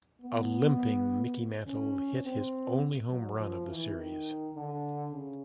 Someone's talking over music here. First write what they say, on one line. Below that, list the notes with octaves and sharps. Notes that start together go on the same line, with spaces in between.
A limping Mickey Mantle hit his only home run of the Series.
B3
C#4
C4
F#3
F3
E3
D#3
D3
C#3